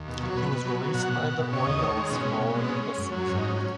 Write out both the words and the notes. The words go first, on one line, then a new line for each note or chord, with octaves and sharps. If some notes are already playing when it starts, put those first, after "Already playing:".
He was released by the Orioles following the season.
Already playing: D#2
B2
F#3
C#5
B2 B4
B2
F#3
F#3
B2 F#5
B2
B2
B2
C#3 C#5
D#2 D#5
D#3 C#5
G#3
B2 C#4
B2
B2
G#3
B3
G#3 C#4
G#3
F#2
F#3
G#2 C#4
F#3 D#4
C#4
F#3